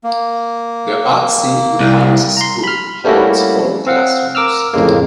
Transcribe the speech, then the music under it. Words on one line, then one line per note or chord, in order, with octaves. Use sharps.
The Atse Yohannes School holds four classrooms.
A#3
C2
A#5 C6
B5 F6
G3 A3 A#3 C#4 E4 F#4
C4 F5 F#5
A#4 D6 E6 F6
F2 A2 C#3 G#3 A#3